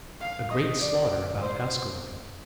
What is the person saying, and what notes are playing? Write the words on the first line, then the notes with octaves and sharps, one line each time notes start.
A Great Slaughter About Ascalon.
F5
D#5
D5
D5
C5